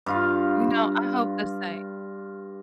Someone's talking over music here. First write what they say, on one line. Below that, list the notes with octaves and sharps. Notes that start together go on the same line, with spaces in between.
You know, I hope the same.
G2 F4 F5